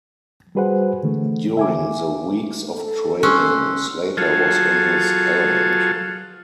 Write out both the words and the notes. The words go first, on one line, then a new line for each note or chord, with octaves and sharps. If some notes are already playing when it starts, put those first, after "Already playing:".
During the weeks of training, Slater was in his element.
G3 F#4 G#4 B4 C5 F#5
D3 E3 A3
E5 G#5 D6
A4
C#4 C6 E6 F#6
F#3 F4 G#4 A4